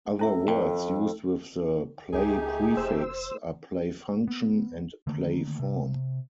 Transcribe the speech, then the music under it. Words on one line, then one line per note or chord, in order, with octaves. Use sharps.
Other words used with the "play-" prefix are play-function and play-form.
C#4 E4 A4 E5
F2 G5
C#2 A3 D#4 G4 G#4
F1 C5 E6
B3
D3 D#3 A3 A#3
C3